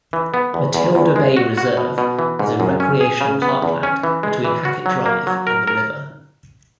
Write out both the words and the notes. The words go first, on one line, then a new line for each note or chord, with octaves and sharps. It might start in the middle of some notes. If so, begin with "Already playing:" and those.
Matilda Bay Reserve is a recreational parkland between Hackett Drive and the river.
E3
B3
E2
E2
E2
G#3
F#4
F#4
B2
B2
E3
G#2
F#2
C#4
G#4
C#3
B3
E2
C#4
E3
G#3
E3
F#4
F#3
A#3
F#3
A#4
A#4